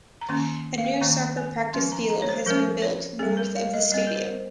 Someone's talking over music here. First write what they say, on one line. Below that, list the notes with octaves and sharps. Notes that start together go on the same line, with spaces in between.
A new Soccer Practice Field has been built north of the stadium.
A#5
D#3 A#3 C#4 C6
F5
G5
G#5
D#3 A#3 C#4 A#5
G#5
F3 G#3 C#4 C6
A#5
A#5
C#5
C5
F3 G#3 C#4 A#4
C#5
G3 C4 G#4
A#4
F5
D#5
G3 C4 D#5
A#4
C5